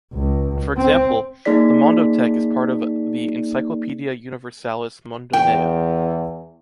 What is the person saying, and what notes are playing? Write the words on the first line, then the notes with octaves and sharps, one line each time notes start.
For example, the Mondothèque is part of the Encyclopedia Universalis Mundaneum.
C#2
C4
A#3 D#4 G#4 D5 B6
E2 G5